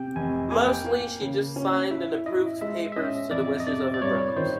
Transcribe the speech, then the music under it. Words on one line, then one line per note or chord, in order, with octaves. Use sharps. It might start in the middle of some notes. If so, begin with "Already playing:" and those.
Mostly she just signed and approved papers to the wishes of her brothers.
Already playing: C3 G5
F1 G#5
A#3 G#5
G5
A#3
C#3
C#4
E4 E5
E4 D#5
G#3 E5
E5
C#4 D#5
F2 D5
D#5
C3 D5
D5
G2 C#5
D#3 C5